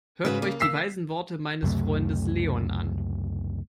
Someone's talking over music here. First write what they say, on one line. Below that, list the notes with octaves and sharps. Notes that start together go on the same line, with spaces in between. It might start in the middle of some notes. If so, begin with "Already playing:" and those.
Hört euch die weisen Worte meines Freundes Leon an!
G#2 C#3 F#4 B4
A#3
E6 B6 C7
C#2 F#2 C3 A3